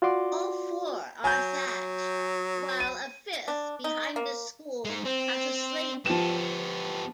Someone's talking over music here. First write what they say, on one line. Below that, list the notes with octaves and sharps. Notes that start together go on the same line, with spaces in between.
All four are thatched, while a fifth behind the school has a slate roof.
F4 F#4 D5 C6 D6
F#3 G#5 G6
F#3
D#7
D4
D#4
A#3
G#3 D#4
C4
F3 B3 G4 E7